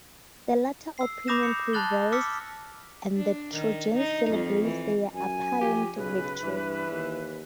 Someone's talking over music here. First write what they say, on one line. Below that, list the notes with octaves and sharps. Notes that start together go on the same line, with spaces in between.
The latter opinion prevails, and the Trojans celebrate their apparent victory.
E6 C7
B5 D6 D#6 G6 A#6 E7
C#7
A5 B5 F#6 A6 F#7 G7
D6 E6 F6 B6 C#7
D4
D#3
D#4
F2
E3
F#2 G#5
F3 G4
B1 C#3 B4
G2 E3
D#2